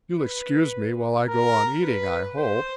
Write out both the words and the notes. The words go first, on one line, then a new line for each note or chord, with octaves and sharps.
You'll excuse me while I go on eating, I hope.
B4
A#4
B4
C5